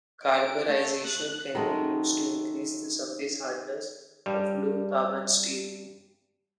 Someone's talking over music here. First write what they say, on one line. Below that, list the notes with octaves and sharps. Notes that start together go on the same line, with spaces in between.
Carburization can be used to increase the surface hardness of low carbon steel.
D7
A3
F#6
D#3 F#3 G#3 A3
G2 G3